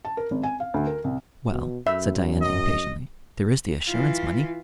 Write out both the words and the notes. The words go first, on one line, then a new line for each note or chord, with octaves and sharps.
"Well," said Diana impatiently, "there is the assurance money."
A5
A#4
G#1
G#5
F5
D2
A#4
C2
B2
F#2 E5
D#5
E3 F4